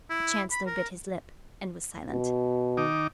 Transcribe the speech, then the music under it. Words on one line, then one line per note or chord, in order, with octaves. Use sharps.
The Chancellor bit his lip, and was silent.
E4
B5
A#4
B2
D#3 D#4 D6